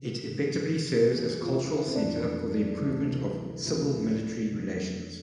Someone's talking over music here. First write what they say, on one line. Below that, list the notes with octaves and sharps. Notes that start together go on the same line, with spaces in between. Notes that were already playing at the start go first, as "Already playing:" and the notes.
It effectively serves as cultural center for the improvement of civil–military relations.
Already playing: C3
G#2 E3
E2 B2 G#4
F4
E4
C4
F2 E3 D4
D2 C3 E3
D2 D3 F3 E4
D4
F2 D3 F3